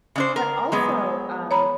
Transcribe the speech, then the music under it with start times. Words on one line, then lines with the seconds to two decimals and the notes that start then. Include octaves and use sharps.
But also, um
0.16 C#3 D4 C5
0.36 A#4
0.72 F#3 G#3 B3
1.51 C#5 A#5 B5